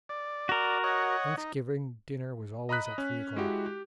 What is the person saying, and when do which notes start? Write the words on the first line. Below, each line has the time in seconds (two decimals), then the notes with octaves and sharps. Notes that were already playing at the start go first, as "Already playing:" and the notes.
Thanksgiving dinner was always at three o'clock.
0.09 D5
0.49 F#4 A#4
0.84 C#5 D#5 F#5
1.37 D#4
2.69 D#5 A#5 B5 D#6 F#6 B6
2.98 C#4
3.36 G#3 E4 F#4 G4
3.66 G4